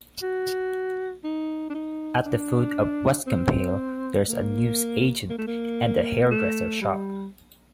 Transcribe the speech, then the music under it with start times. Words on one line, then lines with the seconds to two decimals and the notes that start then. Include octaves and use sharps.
At the foot of Westcombe Hill, there is a newsagent and a hairdresser's shop.
0.22 F#4
1.24 D#4
1.70 D4
1.74 D#4
2.25 D4
3.27 C4
4.28 A#3
5.30 A#3
5.38 A3
5.47 A#3
6.22 A#3
6.31 A3
6.81 G3